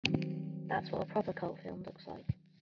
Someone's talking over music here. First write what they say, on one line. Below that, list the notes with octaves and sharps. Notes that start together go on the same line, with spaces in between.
That's what a proper cult film looks like.
D#3 F#3 G3 C4